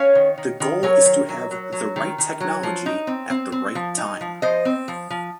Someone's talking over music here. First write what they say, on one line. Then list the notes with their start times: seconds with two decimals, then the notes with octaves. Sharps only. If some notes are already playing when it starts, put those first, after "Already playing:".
The goal is to have The right technology at the right time.
Already playing: C#4 C#5 F5
0.15 D#3
0.38 D#3
0.60 D#3
0.83 F#3 A#4 C#5
1.05 D#3
1.29 F#3
1.51 F#3
1.72 F#3
1.96 D#3
2.18 D#3
2.40 F#3
2.63 F3
2.86 D#4
3.07 C4
3.30 C4
3.52 C4
3.75 F3
3.97 D#4
4.21 F3
4.42 F3 C5 D#5
4.65 C4
4.88 F3
5.10 F3